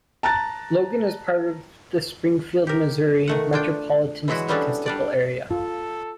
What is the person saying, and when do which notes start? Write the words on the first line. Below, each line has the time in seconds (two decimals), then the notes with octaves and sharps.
Logan is part of the Springfield, Missouri Metropolitan Statistical Area.
0.23 A5 A#5 F#6 A6
2.67 G4 A#4
3.28 D#3 A3 F#5
3.53 D4 F4 G5
4.28 E3 F#3 G#3 E4 F#4
4.48 F#3 G3 B3 C#4 D4 A4
4.86 G3 D4 D5
5.51 F4 A4